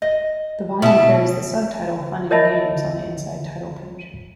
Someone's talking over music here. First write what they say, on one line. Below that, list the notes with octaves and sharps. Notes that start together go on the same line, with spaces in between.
The volume carries the subtitle "Fun and Games" on the inside title page.
D#5
B2 E4 E5 A5
A#4 C#5 D#5 E5 A5 B5